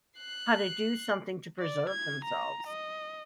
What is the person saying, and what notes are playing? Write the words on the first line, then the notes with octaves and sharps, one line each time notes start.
how to do something to preserve themselves.
F#6 C7
D5
G#6
A#5
D#5